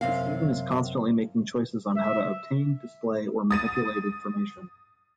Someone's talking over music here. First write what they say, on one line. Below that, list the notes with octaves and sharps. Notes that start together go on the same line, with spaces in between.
The student is constantly making choices on how to obtain, display, or manipulate information.
F#2 C3 F5
E5
D#6 A6 D#7